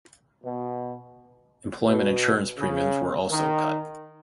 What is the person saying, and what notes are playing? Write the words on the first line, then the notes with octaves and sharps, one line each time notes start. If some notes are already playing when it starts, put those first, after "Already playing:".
Employment Insurance premiums were also cut.
B2
B2
C#3
D#3